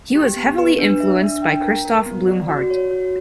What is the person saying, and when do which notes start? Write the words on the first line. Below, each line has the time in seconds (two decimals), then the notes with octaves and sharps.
He was heavily influenced by Christoph Blumhardt.
0.15 G4
0.36 B3
0.58 B4
0.79 D4
1.00 E5
1.22 D4
1.42 G5
1.64 A#4
1.85 A#4
2.06 B3
2.28 D5
2.49 F#4
2.70 C#5
2.91 F#4